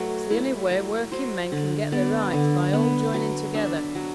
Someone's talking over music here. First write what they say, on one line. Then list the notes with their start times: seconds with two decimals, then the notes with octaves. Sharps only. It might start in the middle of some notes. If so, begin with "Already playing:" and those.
It's the only way working men can get their rights, by all joining together.
Already playing: F#3 A3 B4
0.31 E4
0.71 F#3
1.12 F#3 C5
1.52 D3
1.92 B3 D5
2.33 D3
2.73 B3
3.14 F#3
3.54 D4 E5
3.95 F#3